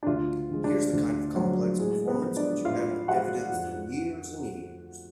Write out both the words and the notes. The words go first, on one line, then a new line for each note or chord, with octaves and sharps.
Here's the kind of complex performance which you haven't evidenced in years and years.
D4
D2 F4
D3 F3 G#3
D4
D2
D3 F3 F#3 G#3 F#4
A2 G#3 G#4
B3 B4
F3 G#3
D4 D5
A2 F4 F5
F3 G#3 F#4 F#5
F2